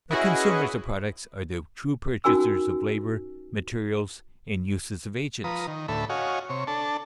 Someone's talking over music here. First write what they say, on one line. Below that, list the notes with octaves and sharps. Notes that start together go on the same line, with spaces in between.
The consumers of products are the true purchasers of labor, materials, and uses of agents.
C#4 E4 F#4 G#4 B4 D#5
C#4 D#4 F#4 A#4 G#5 E6
F3 B4 A#5 D#6
D#3
D2 A2 A4 E5 B5
F#4 C#5 D#5 F5 G#5
C3 C#5
D4 A4 A5